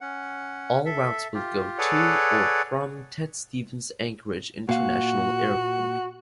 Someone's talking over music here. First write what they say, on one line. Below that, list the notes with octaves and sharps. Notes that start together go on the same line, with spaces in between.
All routes will go to or from Ted Stevens Anchorage International Airport.
C#4 F#5
A4 E5
F4 G4
G#4 A4 B4 C#5 D5 F#5
A#2 F#4 F5